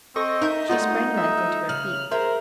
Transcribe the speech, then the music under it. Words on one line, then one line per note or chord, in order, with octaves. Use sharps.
She sprang lithely to her feet.
C4 A4 D#5 C#6
D#4 A#4 E5 G6
G3 A3 D#4 F4 F#4
E5
C#3 F6 F#7
G#4 A#4 C5 E5